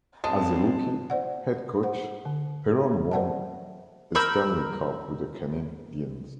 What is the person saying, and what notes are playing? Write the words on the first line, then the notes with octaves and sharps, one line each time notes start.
As a rookie, head coach, Perron won a Stanley Cup with the Canadiens.
B1 G#3 C4 A5
C5 D5 F#5
C5 F#5
D3
C5 D5 E5 F#5 G5 A5
A#4 B5 E6 G6